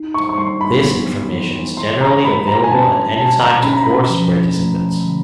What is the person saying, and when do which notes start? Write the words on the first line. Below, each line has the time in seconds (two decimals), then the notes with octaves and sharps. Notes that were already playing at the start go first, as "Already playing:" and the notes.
This information is generally available at any time to course participants.
Already playing: D#4
0.14 C#6
0.29 C#6
0.38 G3 C6
0.61 B5
0.85 B3
1.31 E3
1.77 E4 C6
2.01 A#5
2.24 G#3 B5
2.48 A#5
2.64 G#5
2.70 C#4 A5
3.17 B2 A5
3.40 A#5
3.63 C#4 B5
3.73 A#5
3.83 B5
4.10 F3
4.57 A3
5.03 D3